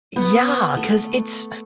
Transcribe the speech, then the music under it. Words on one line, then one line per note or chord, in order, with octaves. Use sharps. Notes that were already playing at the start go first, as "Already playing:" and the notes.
Yeah. 'Cause it's
B3
A3